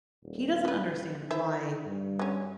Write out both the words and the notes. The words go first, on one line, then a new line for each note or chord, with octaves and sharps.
He doesn't understand why
D#1
B3 B4
D#3 E4 C5 E5
G2
F#3 C#4